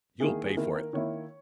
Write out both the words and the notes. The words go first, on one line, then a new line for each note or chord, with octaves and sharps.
"You'll pay for it!"
D#3 A#3 E4 G#4
G#4
D#3 A#3 E4 A#4
A#4
D#3 A#3 E4 C#5